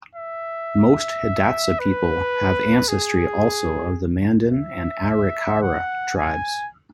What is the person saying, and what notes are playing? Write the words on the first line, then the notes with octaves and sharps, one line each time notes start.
Most Hidatsa people have ancestry also of the Mandan and Arikara tribes.
E5
B4
G#4
E5
F#5
G#5